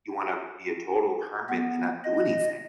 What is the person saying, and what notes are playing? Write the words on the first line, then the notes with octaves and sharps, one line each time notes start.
you wanna be a total hermit and not do anything.
B3
D#5